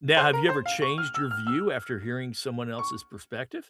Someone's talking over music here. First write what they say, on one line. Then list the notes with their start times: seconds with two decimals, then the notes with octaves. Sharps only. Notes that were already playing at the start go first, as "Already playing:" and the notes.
Now, have you ever changed your view after hearing someone else's perspective?
0.17 C5
0.33 A#4
0.49 C5
0.66 F5
0.82 C#6
0.98 F6
1.14 E6
1.31 F6
1.47 E6
2.79 C#6